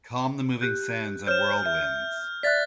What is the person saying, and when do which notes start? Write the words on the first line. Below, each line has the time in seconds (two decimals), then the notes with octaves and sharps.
Calm the moving sands and whirlwinds.
0.61 G4 F#6 G6
1.27 C5 C#5 F6 G6 E7
1.66 E5 G6
2.43 D5 E5 F#6 A6 B6